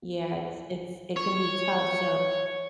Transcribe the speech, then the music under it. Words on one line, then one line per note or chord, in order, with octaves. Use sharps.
Yeah, it's it's it can be tough, so
C#5